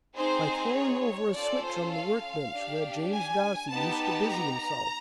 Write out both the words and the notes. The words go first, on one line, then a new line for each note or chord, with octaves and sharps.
"By throwing over a switch on the work bench where James Darcy used to busy himself!"
C4 D#4 G#4 C5
C#5
C#4 F4 A4 D5
C5
F5
D4 G4
G#5
B3 D#4 G4 A5
A#5